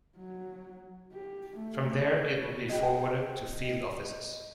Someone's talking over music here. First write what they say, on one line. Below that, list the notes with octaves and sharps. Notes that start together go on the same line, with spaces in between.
From there it would be forwarded to field offices.
F#3
G4
A3
C#5
G#3 D#5 F#5 G5 B5